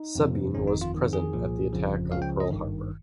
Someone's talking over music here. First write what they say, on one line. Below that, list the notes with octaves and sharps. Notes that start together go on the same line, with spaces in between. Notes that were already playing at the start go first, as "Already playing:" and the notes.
Sabin was present at the Attack on Pearl Harbor.
Already playing: D#4
F2 C3 F3
G1 F2 D#3 C#4
D#4
F4
F2 D#3
G#4
C2 A#2 F3
G1 F2 C#3 F3
C#2 C#3 F3 F5
G5
D#5
G#1 G2 D#3